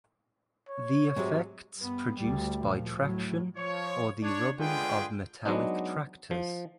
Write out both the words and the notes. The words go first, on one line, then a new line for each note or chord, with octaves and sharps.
The effects produced by traction, or the rubbing of metallic tractors.
C#5
G#2 C3 F#3 G#3
G2 B3
D2 G3
A#2 F3
A2 F#3
F3 C#5
D4 C#5
D3 G#3 F4 G#4 B4 G5
F#3 G#3 B3 D4 D#4
F3